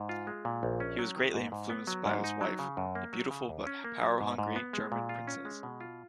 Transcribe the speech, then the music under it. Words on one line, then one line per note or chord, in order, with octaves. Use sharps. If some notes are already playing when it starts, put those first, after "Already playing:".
He was greatly influenced by his wife, a beautiful but power-hungry German princess.
Already playing: G#2
F4
G#3
A#2
A#1
C#4
F#3
D#3
G#2
G#2
B3
F#3
G#2
D#4
F#3
C#3
F#2
A#3
F#3
C#3
D#2
C#4
A#3
F#3
G#2
G#2
B3
G#3
A#2
F4
C#4
G#3
B2
F4